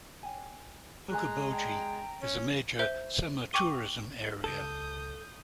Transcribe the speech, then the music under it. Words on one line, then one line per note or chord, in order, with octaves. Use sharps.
Okoboji is a major summer tourism area.
C#5 G5 G#5
G#3 G#4 A4 G#5 A#5 F#6
D5 G5 A5
C#4
C5 E5 G6 G7
G5 C#6 D6 D#7 G7
C#2 A4 D#6 G6